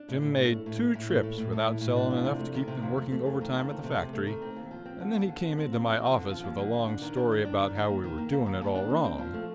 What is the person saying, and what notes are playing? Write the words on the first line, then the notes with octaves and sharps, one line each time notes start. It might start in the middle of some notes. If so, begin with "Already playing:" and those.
Jim made two trips without selling enough to keep them working overtime at the factory, and then he came into my office with a long story about how we were doing it all wrong.
Already playing: D4
A2
A2
A3
A3
A2
A2
A2
A3
A2
A2
A2
A2
A2
D4
F2
C3
A3
D#3
C3
F2
A3
A3
F2
D#3
F2
A3
C3
C3
A3
D#3
C4
D#2
F3
C4
D3
D#2
D3
C4
C4
D#2
F3
C4
D3
F3
D#2
D3
D#2
D4
D#3
D4
D#3
D4
D#3
D#3
A#3
D#3
A#3
D#2
D#2
D#2
D4
A#3
C4
F3
A3